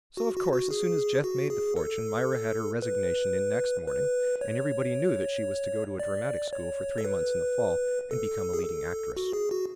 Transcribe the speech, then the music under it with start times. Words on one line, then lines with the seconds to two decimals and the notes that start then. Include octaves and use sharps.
So, of course, as soon as Jeff made the fortune, Myra had her resignation in next morning and everybody knew that she was to go to a dramatic school for three months in the fall and become a leading actress.
0.17 F#4
0.36 F#4
0.53 F#4
0.71 G#4
1.24 F#4
1.50 G#4
1.76 A4
2.82 B4
3.87 B4
4.41 C#5
5.99 D5
6.53 C#5
6.98 A4
7.05 B4
8.11 A4
8.53 G#4
8.64 A4
9.17 F#4
9.33 G#4
9.51 F#4